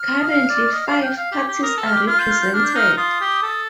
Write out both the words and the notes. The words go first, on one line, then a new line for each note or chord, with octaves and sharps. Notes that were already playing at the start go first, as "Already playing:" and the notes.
Currently five parties are represented.
Already playing: F6
D#5
F5
D5
D#5
F5
G5
F5
G4
G4
A#4 D#6
A4
F6
G4
F4 F6
G6
F6
G6
D4 F6
G6
D#4 F6
F4 D#6
G4
A4